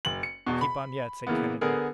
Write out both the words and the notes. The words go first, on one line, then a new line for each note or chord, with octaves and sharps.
"Keep on yet," said Kennedy.
F#1 F#7
C#7
E2 B2
B5
C#3 E3 A#3 B3
D3 B3 G#4 A#4